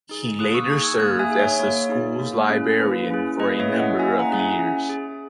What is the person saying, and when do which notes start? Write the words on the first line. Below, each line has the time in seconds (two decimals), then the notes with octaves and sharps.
He later served as the school's librarian for a number of years.
0.09 D#4 G#4
0.39 A#3 D#6 F#6
0.54 C#6 E6
0.69 D#4 G#4 E6 G#6
0.85 E6 G#6
1.00 A#3 D#6 F#6
1.19 E5 G#5
1.29 D#4 G#4
1.39 C#5 E5
1.59 A#3 C#5
1.89 D#4 G#4
2.20 A#3
2.50 C#4 E4 G#4
2.79 A#3 B4
3.10 C#4 E4 G#4
3.39 A#3 B4 D#5
3.59 C#5 E5
3.69 C#4 E4 G#4
3.80 D#5 F#5
3.99 A#3 E5 G#5
4.20 F#5 A#5
4.30 C#4 E4 G#4
4.39 E5 G#5
4.59 C#4
4.89 G#4